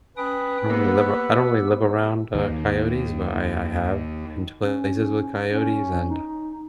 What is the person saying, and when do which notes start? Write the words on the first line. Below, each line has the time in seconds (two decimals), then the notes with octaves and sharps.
I don't really live aroun I don't really live around, uh, coyotes, but I I have been to places with coyotes, and
0.17 C#4 B4 G5 D#6
0.70 A#3 B3 G4 E6
2.35 D#2 D#3
4.62 C#4
5.50 C#4
6.08 D#4